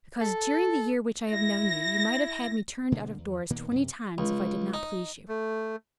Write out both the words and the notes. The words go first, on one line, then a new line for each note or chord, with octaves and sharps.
"Because during the year which I have known you, you might have had me turned out of doors twenty times if I did not please you."
A4
E4 A#6
B2 D3 G#3 A#3
E2
A#2 D#3 A#3 B3
F#2 C3
C#2
D#4
A3